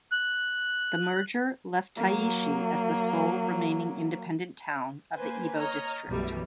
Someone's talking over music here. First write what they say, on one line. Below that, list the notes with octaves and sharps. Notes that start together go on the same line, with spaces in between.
The merger left Taishi as the sole remaining independent town of the Ibo District.
F#6
F#3 A#3
A#3 B4 C5 G#5
C#5 D#5 A#5 F6
B1 F#2 B2 E3 G3 A3